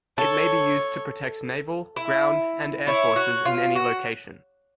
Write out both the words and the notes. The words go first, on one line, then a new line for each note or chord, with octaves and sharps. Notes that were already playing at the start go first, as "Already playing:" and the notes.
It may be used to protect naval, ground, and air forces in any location.
A4 C#5
E4
E4 C#5
F#4
F4
F#4